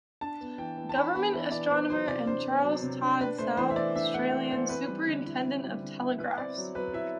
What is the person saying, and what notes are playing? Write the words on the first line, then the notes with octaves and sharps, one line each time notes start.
Government Astronomer and Charles Todd South Australian Superindentent of Telegraphs.
D4 A5
B3
E3 G5
E3
A5
D4 B5
B3 B5
E3 E5
E3 D5
B3 C5
F#3 C5
C3 D5
D4 C5
B3
F#3
C3
D4
D4 B4
A3 C5
E3 C5
E5
E3 D5
D4 E5
A3 F#5
E3
E3 C5
C4 B4
G3
D3
E4
C4
G3
D3
E4
E4 B4
C4 D5
F#3
F#3 B4
E4 E5